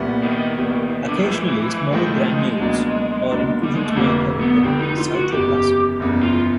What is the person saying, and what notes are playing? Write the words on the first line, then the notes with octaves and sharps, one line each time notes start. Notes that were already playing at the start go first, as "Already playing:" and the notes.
Occasionally, small granules or inclusions may occur in the cytoplasm.
Already playing: C2 A#2 G3 B3
D#3
C2 A#2 G3 B3
D3
D#3
A2 E3 F3 G#3
E3
E3
A2 D#3 F3 G#3
D#3
G#3
C#2 B2 F#3 A#3 D4
C#2 B2 F#3 A#3 D4
G3
G#3
A3
F1 F2 D3 G3 A#3
B3
F1 F2 D3 G3 C4
D#4
F4
F#4
F#1 E2 C#3 G4
F#1 E2 C#3
F4